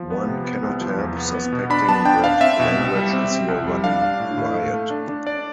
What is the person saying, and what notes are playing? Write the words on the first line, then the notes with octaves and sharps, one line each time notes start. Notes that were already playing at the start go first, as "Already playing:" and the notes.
One cannot help suspecting that language is here running riot.
Already playing: F3
B3
C3
B3
C2
F3
E2
B3
B3
B2
D4 B5
B3 A5
D4 G5
D4 F5
C4 E5
B2
C2
G3
C4
C4
C2
G3
D4 F5
D4
A2
A2
A3
A3
D4
D4
D4 D5